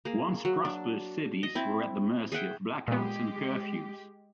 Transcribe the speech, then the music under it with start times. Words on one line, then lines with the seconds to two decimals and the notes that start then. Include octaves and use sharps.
Once-prosperous cities were at the mercy of blackouts and curfews.
0.05 A#3 G#4
0.45 F#3
0.65 D4
1.43 D#5
1.55 C4 E4
2.32 G#4 E5 F#5 G5
2.88 A#2 G#3 B3 G4